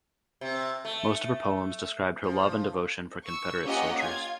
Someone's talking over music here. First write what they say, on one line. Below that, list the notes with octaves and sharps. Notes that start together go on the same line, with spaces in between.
Most of her poems described her love and devotion for Confederate soldiers.
C3
A3
F3
C#6 E6
A#3 C#4 F4 G4 D#5 F#5
F4 F5 G#6